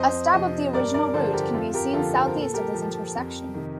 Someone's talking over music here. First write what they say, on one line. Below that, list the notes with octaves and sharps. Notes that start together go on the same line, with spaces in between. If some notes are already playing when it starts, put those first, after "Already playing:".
A stub of the original route can be seen southeast of this intersection.
Already playing: F2 C5 D#5
C3 F3 C5 D#5
G2 A#4 D5
A#4 D5
D3 F3 A4 C5
G4 A#4
F2 F4 A4
G4 A#4
D3 F3 F4 A4
C5
A#4
A#2
A4
G4 A#4
F3
F2
C3 D#3